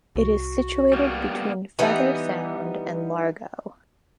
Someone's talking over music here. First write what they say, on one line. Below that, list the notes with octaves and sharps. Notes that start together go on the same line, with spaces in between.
It is situated between Feather Sound and Largo.
C2 F#4
G3 A#3 B3
E3 G3 B3 D#4